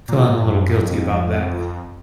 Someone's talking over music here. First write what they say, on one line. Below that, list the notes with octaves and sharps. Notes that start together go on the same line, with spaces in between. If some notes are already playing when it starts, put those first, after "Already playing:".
feeling a little guilty about that.
A#2
G#2
F#2
F#2
F2